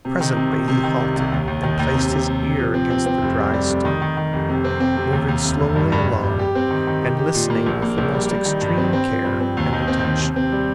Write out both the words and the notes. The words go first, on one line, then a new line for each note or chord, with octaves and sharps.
Presently he halted and placed his ear against the dry stone, moving slowly along and listening with the most extreme care and attention.
C3
D#3
C3
D#3
C3
D#3
C2
C2
D#2
D#2
D#3
D#2
C3
C3
C3
C3
F3
C4
C4
C4
F1
G3
G3
F1
D#3
D#3
D#3
F1
C3
C4
C4
C3
D#2
D#2
F1
F1
G2
G2
G2
G3
G4
C4
D#3
D#3
G4
G4
A#2
A#3
A#1
A#3
A#1
G3
G3
D#3
G2
C4
C4
F3
G2
C4
D#2
D#3
C4
D#2
C3
C4
G3